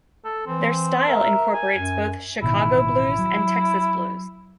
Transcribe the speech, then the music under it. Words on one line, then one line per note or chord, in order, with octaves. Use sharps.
Their style incorporates both Chicago blues and Texas blues.
A4
E3 C4
A#4 E5
G#5
F#2
A1 B2 D#3 E4
F#3